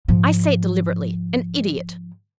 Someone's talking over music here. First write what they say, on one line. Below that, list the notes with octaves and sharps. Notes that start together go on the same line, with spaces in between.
I say it deliberately--an idiot!
G#2 F3